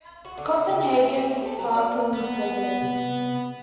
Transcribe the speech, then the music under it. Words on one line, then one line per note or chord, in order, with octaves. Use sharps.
Copenhagen's Parken Stadium.
F#4
D3
C4
C#3
B4
E5
G3
C#5
A4
F#3
D5
B3
C3